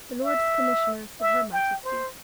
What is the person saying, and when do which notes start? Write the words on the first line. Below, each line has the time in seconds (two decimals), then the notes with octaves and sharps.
"The Lords Commissioners of her Majesty."
0.24 E5
1.21 E5
1.53 G5
1.85 C5